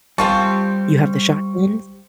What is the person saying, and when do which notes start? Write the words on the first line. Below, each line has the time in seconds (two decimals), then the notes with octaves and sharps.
you have the shotguns?
0.18 G3 C4 F4 G4 A5 C#6